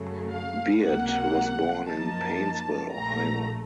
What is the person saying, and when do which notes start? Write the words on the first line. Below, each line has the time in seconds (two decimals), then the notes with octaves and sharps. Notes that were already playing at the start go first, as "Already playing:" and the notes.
Beard was born in Painesville, Ohio.
Already playing: F#2 C#3 F#3 A3
0.30 F5
0.82 C#2 C3 F#3 A#3 F#5
1.88 F#2 F3 A#3 D#4 A5
2.92 A#1 A#2 A3 A#5